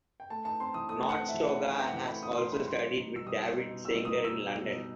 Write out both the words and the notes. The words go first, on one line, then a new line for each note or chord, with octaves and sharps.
Nordstoga has also studied with David Sanger in London.
G5
A3 A5
D#4 A5
C4 C6
E3 D#6
A3 D#6
D#4 F#5
C4
E5
E3
A3 F#5
D#4
C4 G5
F#5
E3 G5
A3 B5
D#4 D#6
C4 C6
E3 B5
G3 C6
B2
D#4
B2 E6
G3 D#6
B2
D#4
B2
G3 E6
E6
B2 D#6
D#4
E6
B2
G3
B2
D#4